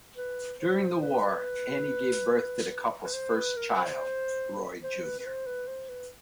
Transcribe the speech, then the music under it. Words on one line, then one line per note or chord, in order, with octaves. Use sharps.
During the war, Annie gave birth to the couple's first child, Roy junior.
B4
C5
B4
B4
C5
B4
A#4
C5
C5
B4
B4
C5
B4
C5
B4